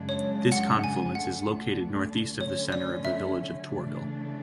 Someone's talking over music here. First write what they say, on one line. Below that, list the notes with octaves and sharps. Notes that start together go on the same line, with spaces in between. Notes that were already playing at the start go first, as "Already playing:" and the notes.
This confluence is located northeast of the center of the village of Tourville.
Already playing: F#2 C#3 G#3 D4
C#5
F#5
G#5
D2 D3 A3 D4 F#5
D3 F#3 A3 C#4 C#5
D5
E5
C#3 E3 A3 D4